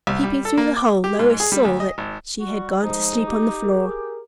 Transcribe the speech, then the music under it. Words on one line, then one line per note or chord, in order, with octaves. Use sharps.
Peeping through the hole, Lois saw that she had gone to sleep on the floor.
C2
G3
A4
A#3
D6
G4
G#2
G#4
G3
D2
D#5
G#1
G3 F#4
F3 G#3 D#4
G4
G#4 A#4